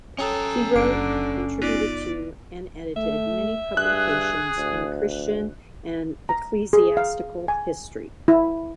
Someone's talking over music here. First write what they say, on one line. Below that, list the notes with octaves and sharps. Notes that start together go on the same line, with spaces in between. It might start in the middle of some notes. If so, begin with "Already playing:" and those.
He wrote, contributed to, and edited, many publications in Christian and Ecclesiastical history.
C#4 A4 C#5 G5 A#5 D#6
F#1 D3 D6 C7 D7
B3 D#4 F4 D5
A3 E5
G2 G#4 F#6
D2
A#5
G#4
F5
G#5
E4